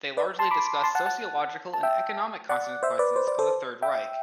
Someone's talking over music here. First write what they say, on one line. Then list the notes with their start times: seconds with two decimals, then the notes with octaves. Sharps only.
They largely discussed sociological and economic consequences of the Third Reich.
0.17 B4 D5
0.39 A5 C6
0.51 B5 D6
0.83 A5 C6
0.95 F#5 A5
1.06 F#5 A5
1.74 A5
1.83 E5 G5
2.49 D5 F#5
2.83 C5 E5
2.99 B4 D5
3.16 C5
3.28 D5
3.39 A4 C5
3.82 E5 G5